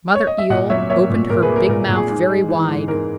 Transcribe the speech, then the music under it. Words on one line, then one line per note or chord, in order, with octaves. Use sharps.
Mother Eel opened her big mouth very wide.
C#5
D#5
E5
A#2 D#5 F#5
F#3 C#5 E5
A#3 C#5 E5
A#2
A#2 A#4
G#4 B4
A#3
A#4
A#2 A#4
A#2
G#4
G#2
G#3
E3
G#2
G#2 A#4